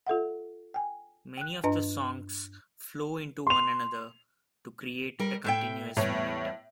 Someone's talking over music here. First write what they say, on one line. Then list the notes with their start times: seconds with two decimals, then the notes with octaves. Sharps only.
Many of the songs flow into one another to create a continuous momentum.
0.06 F4 A4 E5 F#5
0.74 G5 G#5
1.37 G5 F#6
1.64 G2 D4 B4 D#5 A#5
3.47 C6 F7
5.19 G3 A#4
5.44 A2 E5 G5
5.97 E2 A2 G3 C#5